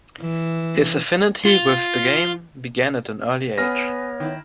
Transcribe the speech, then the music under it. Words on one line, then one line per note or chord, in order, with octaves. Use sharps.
His affinity with the game began at an early age.
E3
F4
B3 G#4 C#5 F6 A#6
D#3 E4